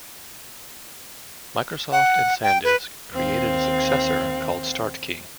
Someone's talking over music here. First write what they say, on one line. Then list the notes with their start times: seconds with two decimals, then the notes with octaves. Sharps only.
Microsoft and SanDisk created a successor called StartKey.
1.92 F#5
2.43 G5
2.64 B4
3.12 D#2 C4 F5